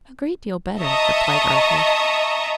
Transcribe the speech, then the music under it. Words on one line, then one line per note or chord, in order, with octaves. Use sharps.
"A great deal better," replied Arthur.
D#5 E5 A5 A#5 C#6 D#6